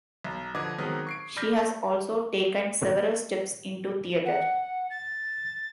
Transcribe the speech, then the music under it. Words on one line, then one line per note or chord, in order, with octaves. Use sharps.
She has also taken several steps into Theater.
B1
D3 F3 B4 D#5 D6 G#6
D#3 F#3 G#3 B3 C4 D#4
C#6 C7 D7
D5 B5 F6 G6 A#6 B6
F#5
A6